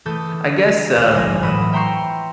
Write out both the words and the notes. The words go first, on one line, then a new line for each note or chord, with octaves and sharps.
I guess, um
E3 A3 A4 D#6 G6
A#3
D2
A#1 F3 G#5 A#6
A2 E3 F#3 B5 D#6 E6
E5 G5 A#5 C6 C#6 G6